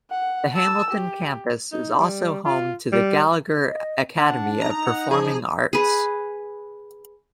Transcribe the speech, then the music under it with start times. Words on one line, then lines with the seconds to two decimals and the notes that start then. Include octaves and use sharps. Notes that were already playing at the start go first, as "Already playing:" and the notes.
The Hamilton campus is also home to the Gallagher Academy of Performing Arts.
0.11 F#5
0.53 A5 E6
0.90 G4
1.72 D#4
2.00 G3
2.45 F4
2.92 G3
3.66 D#5
4.17 D4 F#5
4.61 D#4 A#5
4.86 F#5
5.11 F3 G#4
5.73 G#4 B4